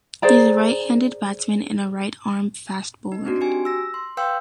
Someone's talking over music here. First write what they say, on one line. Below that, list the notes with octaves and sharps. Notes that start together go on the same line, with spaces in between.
He is a right-handed batsman and a right-arm-fast bowler.
G#4 C5 D5 A#5
D#4
C4 D4 D#4 F#4
F#4 G4 G#5
E6 A#6
C6
B4 F5 G5 C6 E6 G6